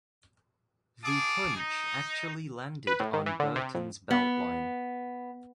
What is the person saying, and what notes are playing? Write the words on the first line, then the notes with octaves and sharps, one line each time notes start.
The punch actually landed on Burton's beltline.
G#4 F5 A5 D6
D#4
B4
A2
D#3
E3
D3
C3
F2
B3